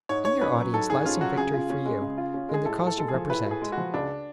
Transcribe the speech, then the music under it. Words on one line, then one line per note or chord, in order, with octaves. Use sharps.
In your audience lies some victory for you and the cause you represent.
G#2 C#5
G#2 C#5
C#4 B4
F#3
G#2 A4
G#2 G#4
C#4 F4
F#3 F#4
C#3 G#4
F4
C#4
G#3
C#3
F4
C#4
G#3 G#4
A2 A4
A2
A4
G#3 A4
G#4
F3
A2 B4
A2
G#4
G#3
F#4
F3
C#2 D4